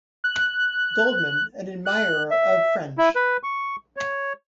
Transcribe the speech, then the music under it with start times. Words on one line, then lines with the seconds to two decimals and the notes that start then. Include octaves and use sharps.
Goldman, an admirer of French.
0.24 F#6
1.86 F#6
2.31 E5
2.98 E4
3.15 B4
3.43 C#6
3.97 C#5